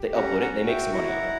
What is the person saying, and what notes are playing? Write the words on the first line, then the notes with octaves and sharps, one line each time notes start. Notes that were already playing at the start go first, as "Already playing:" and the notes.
they upload it, they make some money on it.
Already playing: G4
C#4 F#5 A#5
F#5 A#5
F#4
E5 G5
E4 F#5 A#5